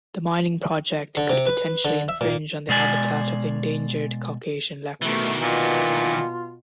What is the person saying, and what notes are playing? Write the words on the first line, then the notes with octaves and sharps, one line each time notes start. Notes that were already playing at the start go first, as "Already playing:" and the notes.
The mining project could potentially infringe on the habitat of the endangered Caucasian leopard.
D3
C3
B4
D3
E5
A#2
B2 G#3 D5 G#5
B2 D#3 E3 A3
A#2 F4